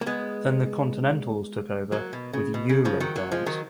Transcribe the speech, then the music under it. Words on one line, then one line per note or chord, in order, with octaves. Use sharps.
Then the continentals took over with "Euro Dance".
A#3
G#3 B3
F#3 A#3
B2
C#3
B2
C#3
C#3 F3
D#3 F#3
F#3 A#3
F3 G#3
D#3 F#3